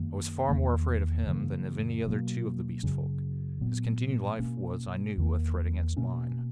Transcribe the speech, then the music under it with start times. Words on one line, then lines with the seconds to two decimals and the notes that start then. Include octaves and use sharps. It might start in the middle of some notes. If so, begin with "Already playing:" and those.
I was far more afraid of him than of any other two of the Beast Folk. His continued life was I knew a threat against mine.
Already playing: F#2 D#3 A#3
0.49 E2 D#3 A#3
1.27 F#2 C#3 E3 A#3
2.05 B2 F#3 A#3
2.83 F#2 C#3 F#3 C#4
3.61 A#2 F#3 B3
4.39 B2 A#3 C#4
5.18 E2 D#3 A#3
5.96 B2 A#3 C#4